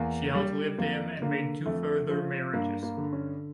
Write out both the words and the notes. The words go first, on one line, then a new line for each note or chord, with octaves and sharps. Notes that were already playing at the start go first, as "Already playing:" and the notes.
She outlived him and made two further marriages.
Already playing: E2 A#3
G3
F2 A#3
D3 A#3
F2 A3
F3
G2 A#3
A#3
D3
C#4